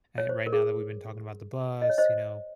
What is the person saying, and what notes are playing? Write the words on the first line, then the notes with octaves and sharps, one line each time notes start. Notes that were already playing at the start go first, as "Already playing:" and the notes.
eh, right now that we've been talking about the bus, you know,
C#5
C5
A#4
G#4
D#5
C#5
C5 D#5